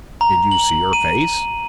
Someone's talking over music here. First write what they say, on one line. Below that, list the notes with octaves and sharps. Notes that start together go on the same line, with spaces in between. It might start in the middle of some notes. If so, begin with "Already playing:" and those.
"Did you see her face?"
A#5
F#7
D#7